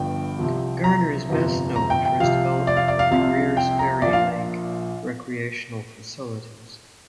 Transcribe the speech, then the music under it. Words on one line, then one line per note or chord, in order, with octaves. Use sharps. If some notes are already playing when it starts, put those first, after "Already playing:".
Garner is best known for his development of the Greers Ferry Lake recreational facilities.
Already playing: G1 G2 D3 F3 G5
C2 C3 F3
A#5
G1 F2 C3 F3
A#5
G5
G5
C2 C3 F3 F5
D5
F5
D5
F5
C2 C3 F3 F5
G5
A#5
A#1 A#2 F3 D5
F5